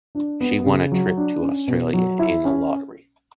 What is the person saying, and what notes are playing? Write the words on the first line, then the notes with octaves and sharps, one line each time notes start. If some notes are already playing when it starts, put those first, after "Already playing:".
She won a trip to Australia in a lottery.
D4
B3
C#3
F#3
D4
C#4
B2
F#3
E4
C#4